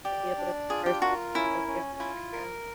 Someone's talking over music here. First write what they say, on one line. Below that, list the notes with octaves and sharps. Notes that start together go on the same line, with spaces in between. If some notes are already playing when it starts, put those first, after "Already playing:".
to be able to converse with people of different backgrounds.
G4 D5
D4
F4 G#4
G4
F#4 A#4
C#4 E4
C#4
E4 F4
A#4